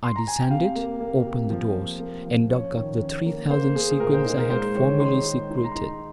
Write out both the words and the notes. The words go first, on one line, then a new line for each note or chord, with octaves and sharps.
I descended, opened the doors, and dug up the three thousand sequins I had formerly secreted.
C6
A#5
G#5
G5
C3 F5
A#3
A#3
C3
F3
A#3
A#3
F3
C#4 C#5
D#3
C#4
A#3
A#3 C5
A#3 G#4
G#4
A#2 A#4
C5
D#4 G#4
A#4
G#3 C5
D#3 C#5
D#4 C6
G#3
D#4
C6
A#5
D#4 C6